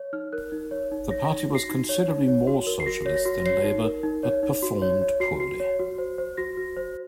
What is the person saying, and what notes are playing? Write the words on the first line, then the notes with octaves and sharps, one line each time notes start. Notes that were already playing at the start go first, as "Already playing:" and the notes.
The party was considerably more socialist than Labour, but performed poorly.
Already playing: C#5
D#4 F6
A#4 F#6
D#4
C#5
D#4
C#5 A#6
A#6
D#4
A#6
F#4 C7
D#4
C#5
D#4
C#5
F#4
A#4
C7
F#4 A#6
C#5
A#6
F#4
C#5 C7
D#4
A#4
D#4
C#5
D#4
F#4
C#5
C#5
F#4 C7
F#4 C7
C#5
F#4
C5
C5
F#4 A#6
F#4
C5